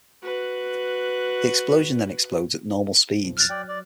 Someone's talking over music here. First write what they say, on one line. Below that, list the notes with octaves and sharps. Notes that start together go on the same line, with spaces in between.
The explosion then explodes at normal speed.
F#4 B4
B1 F2 F3
F6 F#6 A6
F#3 D5 G5
D5